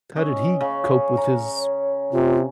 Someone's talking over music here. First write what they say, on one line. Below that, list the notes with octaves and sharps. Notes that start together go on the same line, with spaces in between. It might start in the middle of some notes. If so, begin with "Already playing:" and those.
how did he cope with his
C#4 D#5 E5
C#3
C#5 A#5
C3 F4